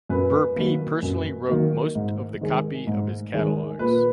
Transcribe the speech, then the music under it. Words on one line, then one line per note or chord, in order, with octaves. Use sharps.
Burpee personally wrote most of the copy of his catalogs.
F#2 B4
D#3 F#3 A#3
F#2
D#3 F#3 A#3
G#2
D#3 G#3
G#2
D#3 G#3
A#2 B4